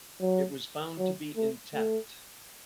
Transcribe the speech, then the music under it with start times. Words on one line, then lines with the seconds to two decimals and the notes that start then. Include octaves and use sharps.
It was found to be intact.
0.21 F#3
0.98 F#3
1.36 A3
1.74 A3